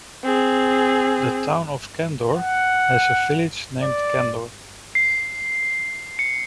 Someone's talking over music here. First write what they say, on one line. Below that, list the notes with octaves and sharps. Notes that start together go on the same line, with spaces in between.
The Town of Candor has a village named Candor.
C4 G#4
F#5
D5
C7
C#7